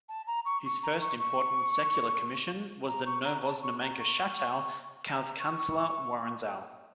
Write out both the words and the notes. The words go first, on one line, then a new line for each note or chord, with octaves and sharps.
His first important secular commission was the Novoznamenka chateau of Chancellor Woronzow.
A5
A#5
C#6
C#6
A#5
C#6
C#6
A#5
C#6
A#5
A5
C#6
A#5
C#6
A#5
C#6